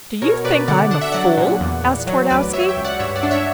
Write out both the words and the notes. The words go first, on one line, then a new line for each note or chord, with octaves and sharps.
"Do you think I am a fool?" asked Twardowski.
B2 A#4 C#5
B2 B4 D5
D3 D5 F#5
D4 F#5
E5
F#3 D5 F#5
A#2
E2
E2
F#3
D2 B4 D5
F#3 C#5 E5
E5 G5
C#2
D5 F#5
G2 C#5 E5
D5 F#5
D4
C#5 E5